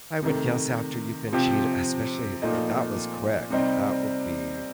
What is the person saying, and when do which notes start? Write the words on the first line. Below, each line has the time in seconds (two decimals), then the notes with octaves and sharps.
I would guess after you've been cheate especially, th that was quick, that would be
0.23 C3 D#3 A3
1.32 C3 F3 C4 G4
2.42 A#2 F3 A3 D#4
3.50 C3 G3 C4 D#4